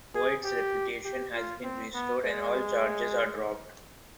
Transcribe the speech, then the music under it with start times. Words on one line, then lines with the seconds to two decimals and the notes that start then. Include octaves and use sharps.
Boyds reputation has been restored and all charges are dropped.
0.14 G#4
0.44 G4
1.04 G4
1.34 F4
1.64 C4
1.94 B3
2.24 G#3